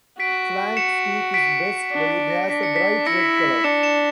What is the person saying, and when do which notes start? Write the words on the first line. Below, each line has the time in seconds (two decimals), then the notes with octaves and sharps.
Flank steak is best when it has a bright red color.
0.20 F#4 B6 D7
0.77 C#7 E7
1.34 B6 D7
1.92 D4
2.11 B6
2.30 A#6
2.50 D4 B6
2.63 C#7
2.76 B6
3.07 E4 A#6 C#7
3.64 D4 C#7 E7
3.83 C#7 E7